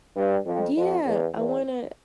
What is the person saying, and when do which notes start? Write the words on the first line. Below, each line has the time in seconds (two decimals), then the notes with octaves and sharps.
Yeah, I wanna
0.17 G2
0.46 F2
0.77 F2
1.05 E2
1.36 E2